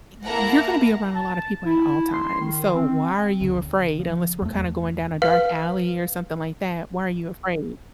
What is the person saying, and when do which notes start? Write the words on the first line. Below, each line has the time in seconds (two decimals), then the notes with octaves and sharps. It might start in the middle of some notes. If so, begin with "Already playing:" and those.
Y y you're gonna be around a lotta people at all times, so why are you afraid? Unless we're kinda going down a dark alley or something like that, why are you afraid?
0.24 A#3 E4 F#5 A5 A#5 A#6
1.15 A5
1.65 E4
2.13 C6
2.39 D#3
2.74 C4
3.41 D2 C#3
4.00 F3
4.42 E2 A3
5.22 B4 F5